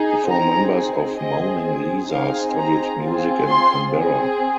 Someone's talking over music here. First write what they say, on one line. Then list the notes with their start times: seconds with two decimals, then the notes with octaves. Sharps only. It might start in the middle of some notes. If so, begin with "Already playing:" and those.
The four members of Moaning Lisa studied music in Canberra.
Already playing: D#4 G#4
0.28 C4 D#4 G#4 A#5
1.19 C4 G#4 D#5
2.10 C4 D#4 G#4 F5
2.56 A#5
3.01 C4 F4 G#4
3.47 C6
3.92 C4 G#4